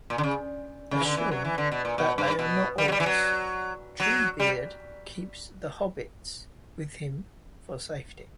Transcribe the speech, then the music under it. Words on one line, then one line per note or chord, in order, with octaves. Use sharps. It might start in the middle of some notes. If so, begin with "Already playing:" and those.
Assured that they are not orcs, Treebeard keeps the hobbits with him for safety.
A#2
D3
C#3
C#3
E3
D3
E3
F#3
E3
D3
B2
A#2
B2
G2
B2
G3
F#3
G3
E3
F#3
F#3
G3